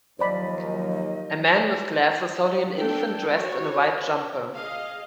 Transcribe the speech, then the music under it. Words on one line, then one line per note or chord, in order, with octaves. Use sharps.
A man with glasses holding an infant dressed in a white jumper.
D#2 F3 F#3 C5 D5 D#5 B5
D4 A4 G5
F#4 C5 C#5
G#4 D#5 F5